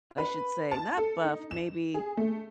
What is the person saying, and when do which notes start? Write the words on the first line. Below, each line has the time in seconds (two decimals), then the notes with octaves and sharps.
I should say. Not buff, maybe
0.18 B4
0.71 A5
0.97 A4
1.24 D#4
1.51 E7
1.94 G#4
2.17 A3